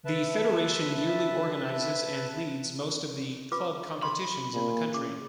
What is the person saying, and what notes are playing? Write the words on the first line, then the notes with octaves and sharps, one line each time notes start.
The Federation yearly organizes and leads most of the club competitions in the country.
B4 E5 A5
F4 B4 D6
B5 C6
A#2
C#3 D6